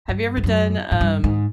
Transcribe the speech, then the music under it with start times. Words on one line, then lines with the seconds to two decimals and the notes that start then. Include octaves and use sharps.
Have you ever done, um
0.09 G2
0.37 F2
0.44 F#2
0.91 G#2
1.01 G2
1.24 G#2